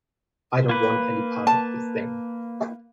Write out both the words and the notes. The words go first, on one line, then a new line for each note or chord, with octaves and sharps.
I don't want any part of this thing.
A#3 B4
A5